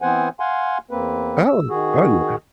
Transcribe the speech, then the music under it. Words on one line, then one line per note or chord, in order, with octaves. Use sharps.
Oh, oh, yeah.
E3 B3 C4 C5 F#5 G#5
F5 F#5 G#5 C6
E2 A#3 C4 B4
E6
D#3 F#4 G#4